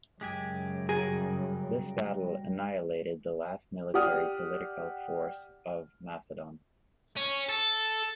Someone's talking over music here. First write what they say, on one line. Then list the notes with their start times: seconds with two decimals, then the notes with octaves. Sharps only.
This battle annihilated the last military-political force of Macedon.
0.21 F#2 C#3 G#3 G4 G#5
0.89 G3 F#4 G#4 A#4
3.94 G4 D5 F#5 D#6 F6
7.17 C#4
7.49 A4